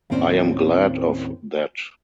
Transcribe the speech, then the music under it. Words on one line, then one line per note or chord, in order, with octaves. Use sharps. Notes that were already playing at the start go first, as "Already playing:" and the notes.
I am glad of that!
D#2 A2 C4 C#4 C5 D5